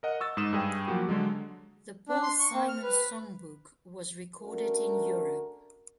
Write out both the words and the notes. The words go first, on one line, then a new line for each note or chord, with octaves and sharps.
"The Paul Simon Songbook" was recorded in Europe.
A#4 D#5 F#5
C#6 E6 A6
G#2 D#6 E7
G2 G#4 G5
F3 F#3 A#3 F#4 G4
D3 F#3 G#3
D4
C6
C#6
C4
F6
B4
A3 C#4 D4 F#4 A#4